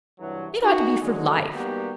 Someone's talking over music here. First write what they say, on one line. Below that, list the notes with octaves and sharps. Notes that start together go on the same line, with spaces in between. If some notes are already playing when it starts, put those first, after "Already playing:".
It ought to be for life.
C2 G2 E3 F#3
D#4 F#4
D3 F#3 G#3
G3 A#3 B3 D#4 F#4 G4